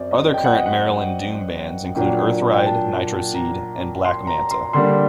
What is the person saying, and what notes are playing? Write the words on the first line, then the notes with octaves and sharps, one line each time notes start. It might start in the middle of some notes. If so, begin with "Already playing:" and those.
Other current Maryland doom bands include Earthride, Nitroseed, and Black Manta.
Already playing: F#2 F#3 C4 D5
D#5
G5
F#5
D#5
F#5
A#2 F#3 A#3 D4 G5
G5
A5
A#5
C6
A#5
C6
D3 G3 A#3 D4 C6